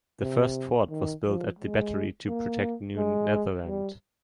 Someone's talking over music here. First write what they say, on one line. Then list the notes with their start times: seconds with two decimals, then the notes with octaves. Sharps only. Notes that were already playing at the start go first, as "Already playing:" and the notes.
The first fort was built at the Battery to protect New Netherland.
0.21 C3
0.90 D#3
1.24 F3
1.59 G#3
2.28 A#3
2.96 G#3
3.65 G3